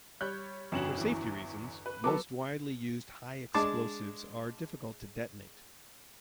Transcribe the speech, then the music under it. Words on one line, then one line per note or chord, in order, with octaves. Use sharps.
For safety reasons, most widely used high explosives are difficult to detonate.
G3 C#5 F#6 G6
G1 F2 C#4 F#4 E7 F#7
E2 E3
B4
F#3 B3 A4 B4 A5 D6
G#3 D4 A5 D6